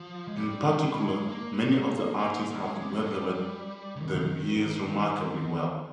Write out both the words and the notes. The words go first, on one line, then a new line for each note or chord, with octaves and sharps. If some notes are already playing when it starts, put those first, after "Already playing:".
In particular, many of the arches have weathered the years remarkably well.
Already playing: F3
G#3
G3
G3
A#3
G#3
A#3
A#3
G3
G#3
C#4
C4
A#3
G#3
G3
C#3
D#3